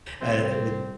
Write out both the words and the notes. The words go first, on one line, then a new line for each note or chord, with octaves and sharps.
uh, with
C2 C4